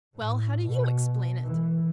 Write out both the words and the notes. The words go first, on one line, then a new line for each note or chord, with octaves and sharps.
"Well, how do YOU explain it?"
A2
B2
E3